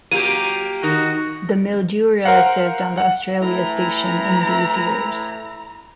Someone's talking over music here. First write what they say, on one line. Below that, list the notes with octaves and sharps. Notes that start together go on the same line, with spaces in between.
The "Mildura" served on the Australia Station in these years.
F#3 A#3 F4 G4 D#7
D#3 D#4 F#4 A#4
A#4 C5 F5 F#5
F#5
A2 E3 E4 A#5